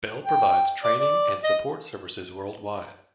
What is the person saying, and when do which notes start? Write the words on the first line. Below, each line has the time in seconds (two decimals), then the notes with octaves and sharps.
Bell provides training and support services worldwide.
0.25 G5
0.83 D5
0.99 D5
1.44 D#5